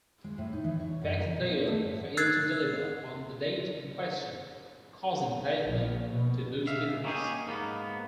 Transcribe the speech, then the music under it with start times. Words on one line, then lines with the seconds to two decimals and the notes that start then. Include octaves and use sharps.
Baxendale failed to deliver on the date in question, causing Hadley to lose business.
0.24 G#3
0.38 A2
0.53 D#4
0.64 E3
0.80 C#5
1.01 F#2
1.21 A#4
1.37 A#2
1.50 D#5
1.67 A3
1.84 G#2
2.17 E6 F#6 G#6 A6 C7
5.64 A#1
6.10 B2
6.67 E5 F5
6.89 C#2
7.04 A#3 C#4 D#4 G4 G#4
7.46 G#2 A#3 B3